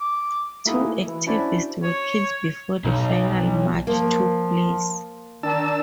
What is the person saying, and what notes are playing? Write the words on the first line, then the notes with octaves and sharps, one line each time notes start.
Two activists were killed before the final march took place.
D6
A3 A#3 D#4 E4 F#4 G#4
E3 E4
C#4 D4 E4 F#4 C5 D5
C#5
B1
F3 A#3
D#3 D4 A5 E6